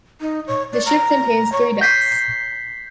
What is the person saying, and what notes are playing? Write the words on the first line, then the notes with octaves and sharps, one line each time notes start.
The ship contains three decks.
D#4
C#5
D5
A#5
C#5
G6 B6 C7